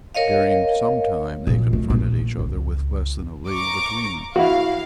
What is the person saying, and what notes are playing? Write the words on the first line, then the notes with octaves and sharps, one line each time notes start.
During some time they confronted each other with less than a league between them.
A#4 C#5 D#5 F5
A#2
A3
A#1
C#2
A#5 C#6 D6
E4 F#4 F5